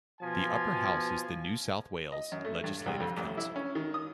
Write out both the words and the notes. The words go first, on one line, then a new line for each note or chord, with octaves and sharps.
The upper house is the New South Wales Legislative Council.
B2 F3 G#5
D#5
F#2
A3
G2
C2
F2
A1
E4
C#4
D#3
D#6